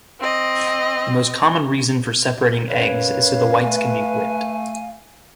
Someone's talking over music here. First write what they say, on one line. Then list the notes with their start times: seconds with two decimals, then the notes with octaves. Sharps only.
The most common reason for separating eggs is so the whites can be whipped.
0.20 C4 D#5
2.69 F#2 B4 C#5 F5
3.63 A3 G#5